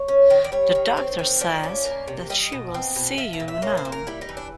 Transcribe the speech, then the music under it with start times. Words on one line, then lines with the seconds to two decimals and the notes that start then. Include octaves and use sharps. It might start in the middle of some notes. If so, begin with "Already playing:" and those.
The doctor says that she will see you now.
Already playing: C#5
0.08 C#4
0.30 D#3
0.44 D5
0.52 G3 C#5
0.75 D#3
0.97 C4
1.19 D#3
1.41 F3 D5
1.64 C#4
1.85 A#3
2.08 C3
2.30 G3 D#5
2.52 B2
2.74 C4
2.96 B2
3.18 F3 E5
3.33 E5
3.40 A#2
3.48 E5
3.62 A#3 C#5
3.77 C5
3.85 A#2
3.92 A#4
4.07 G3 E4
4.21 D#4
4.29 E3
4.37 D4